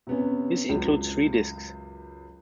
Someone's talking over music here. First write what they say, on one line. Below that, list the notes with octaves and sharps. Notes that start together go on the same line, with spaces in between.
This includes three discs.
C3 B3 C#4
C#2 F#2